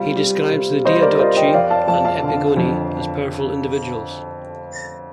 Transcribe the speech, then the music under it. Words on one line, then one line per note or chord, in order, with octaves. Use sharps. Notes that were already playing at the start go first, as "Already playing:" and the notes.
He describes the Diadochi and Epigoni as powerful individuals.
Already playing: C3 G3 F4 F5
G3
C3
G3 C5 D#5
A#4 D5
F4 C5 D#5
D#5 G5
F2 D5 F5
F5 A5
F2 F5 A5
F5 A5
D3
F2